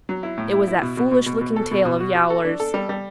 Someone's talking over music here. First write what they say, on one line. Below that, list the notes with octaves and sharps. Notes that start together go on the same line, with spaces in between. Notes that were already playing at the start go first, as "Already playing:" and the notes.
It was that foolish looking tail of Yowler's.
F#3
E4
A2
E4
E4
B2
B2
B2
B2
B2
A4
B2
B2
F#4
F#4
A4
D4
A4
G3
G3